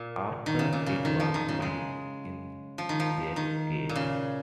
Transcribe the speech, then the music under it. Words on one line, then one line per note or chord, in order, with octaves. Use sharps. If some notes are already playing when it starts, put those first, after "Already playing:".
After, it was to be in their care.
Already playing: A#2
D#3
C#3
A#2
C#3
D#3
F3
D#3
C#3
G#3
F3
D#3
F3
D#3
A#2
C#3